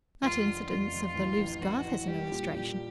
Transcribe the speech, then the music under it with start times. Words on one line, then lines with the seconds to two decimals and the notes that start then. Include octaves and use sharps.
That incident of the loose girth is an illustration.
0.22 F1 F4
0.45 D3
0.69 F1 F4
0.91 F1
1.15 A1
1.38 A1
1.61 A1 F#4
1.85 E3
2.08 G3 G4
2.32 A#2
2.54 A#2 G4